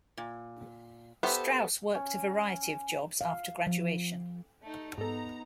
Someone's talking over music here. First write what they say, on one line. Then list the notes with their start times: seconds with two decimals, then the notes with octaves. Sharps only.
Straus worked a variety of jobs after graduation.
0.17 A#2
1.23 B3 G4 A4 C5 E5
1.95 C#4
3.21 F5
3.67 F3
4.63 A3 D#4
4.98 G#2 B3 D#4 A4 A#5